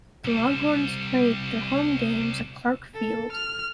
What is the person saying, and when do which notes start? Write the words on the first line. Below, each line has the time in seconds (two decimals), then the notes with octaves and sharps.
The Longhorns played their home games at Clark Field.
0.25 C2 G3
2.94 A4
3.32 F6